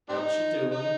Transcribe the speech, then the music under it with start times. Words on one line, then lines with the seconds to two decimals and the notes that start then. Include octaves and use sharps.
"What you doin'?"
0.09 G3 C4 D#4
0.71 D#4